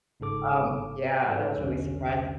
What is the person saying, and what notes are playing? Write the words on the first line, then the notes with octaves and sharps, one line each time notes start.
um, yeah, that was really surprising.
G1 G#2 C#3 A4 D6
G#2 A4 B4
B1 E2 D3 C#4